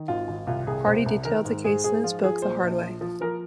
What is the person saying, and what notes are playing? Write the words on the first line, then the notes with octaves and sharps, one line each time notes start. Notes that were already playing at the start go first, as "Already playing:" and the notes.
Hardy detailed the case in his book "The Hard Way".
Already playing: D#3
G#1 F4
G#1
C2 F4
C2 G#4
C2 C5
C2
D#3 A#4
G#2
G#2 G#4
G#2 G#4
F3 F4
F3 G#4
A#1 C5
A#1
F3
F3
F3 A#4